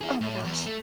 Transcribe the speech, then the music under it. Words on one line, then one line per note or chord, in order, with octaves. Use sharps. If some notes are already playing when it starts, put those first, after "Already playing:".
Oh my gosh.
E4 G#4
A2
E2
A3